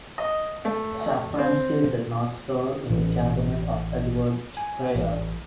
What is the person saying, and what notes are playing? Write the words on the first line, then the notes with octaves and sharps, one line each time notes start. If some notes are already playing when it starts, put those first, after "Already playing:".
Shafransky did not serve in the cabinet of Edward Schreyer.
D#5
A3
C4
A1
G#5
A1